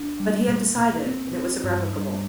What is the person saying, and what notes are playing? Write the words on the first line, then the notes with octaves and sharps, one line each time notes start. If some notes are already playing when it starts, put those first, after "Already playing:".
But he had decided, and it was irrevocable.
Already playing: D4
G3
A#2
A#2
C4
C4
G2
G2